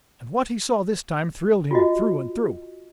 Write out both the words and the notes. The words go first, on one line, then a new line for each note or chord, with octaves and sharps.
And what he saw this time thrilled him through and through.
F4 F#4 D#5